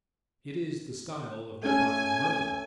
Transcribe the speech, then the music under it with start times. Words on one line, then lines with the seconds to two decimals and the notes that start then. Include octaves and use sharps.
It is the style of the prophet Merlin.
1.63 A3 C#4 A4 G#5